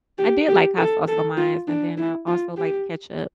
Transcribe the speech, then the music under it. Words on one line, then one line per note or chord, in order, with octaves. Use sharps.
I did like hot sauce on my mine's and then I also like ketchup.
G4
G4
A4
A4
F4
D4
E4
F4
G4